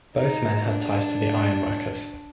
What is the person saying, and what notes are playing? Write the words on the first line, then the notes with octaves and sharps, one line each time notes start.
Both men had ties to the Ironworkers.
D#4
D4